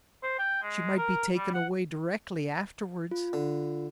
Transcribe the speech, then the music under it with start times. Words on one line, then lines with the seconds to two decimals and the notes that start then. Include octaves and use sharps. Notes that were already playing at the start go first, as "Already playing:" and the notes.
She might be taken away directly afterwards.
0.23 C5
0.39 G5
0.63 G#3
0.98 A#4
1.36 G3
1.54 F#5
3.11 F4
3.33 D3